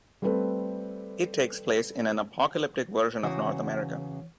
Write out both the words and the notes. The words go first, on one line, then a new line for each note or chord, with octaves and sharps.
It takes place in an apocalyptic version of North America.
G3 A3 C4 A4 B4
E2 C#3 E3 F#4 C#5